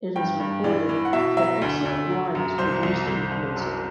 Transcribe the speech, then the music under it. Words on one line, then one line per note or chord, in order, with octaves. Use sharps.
It is recorded that excellent wine was produced in the peninsula.
G2 G5
G2
E3 D5
E3
F#5
B2 E5
F#3 E5
D2
D2
F#3
F#2
C2 C5
C2
C2
C2
F#2